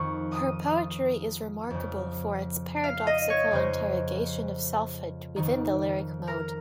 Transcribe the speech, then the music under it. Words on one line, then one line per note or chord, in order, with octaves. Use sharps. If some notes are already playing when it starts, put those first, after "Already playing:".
Her poetry is remarkable for its paradoxical interrogation of selfhood within the lyric mode.
Already playing: F2 D#3 C#6
D#6
F2 C#3
F5
D#5
C#5
F2 C#3 C5
F2 D#3
A#4